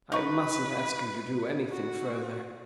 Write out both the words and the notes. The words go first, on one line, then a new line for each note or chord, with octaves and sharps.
I mustn't ask you to do anything further.
D#4 B4 C#6
F#4